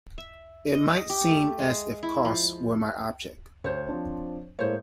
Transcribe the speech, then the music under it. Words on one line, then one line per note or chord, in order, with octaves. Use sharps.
It might seem as if costs were my object.
E5
D#5
G4
A3
G#3
E4
F3
D2 C5 C#5
F3 C4 D4
A2 G#3 A#3 C5 C#5